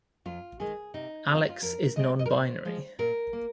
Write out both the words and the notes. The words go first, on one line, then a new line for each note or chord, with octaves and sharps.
Alex is non-binary.
F2 F4
D#3 G#3 G#4
C3 D#4
F3 C4 F4 G#4
D#4
F4
F2 A#4
C3 G#3 C4 D#5
D#5
A#4
A#2 C5
F3 G#3
A#2 A#4
A#3